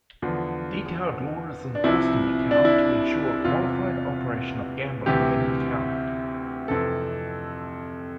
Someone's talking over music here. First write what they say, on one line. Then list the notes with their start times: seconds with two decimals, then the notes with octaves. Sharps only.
Detailed law is enforced in Macau to ensure "qualified operation of gambling" in Macau.
0.22 E2 D3 F3
1.75 D4
1.84 C2 C3 F3 E4
2.51 D4
2.65 E4
3.45 E2 C3 E3 F4
5.06 D2 C3 E3 G4
6.68 F2 C3 E3 A4